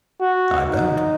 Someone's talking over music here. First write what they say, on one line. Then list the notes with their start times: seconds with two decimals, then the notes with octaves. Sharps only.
I bet.
0.21 F#4
0.70 D#4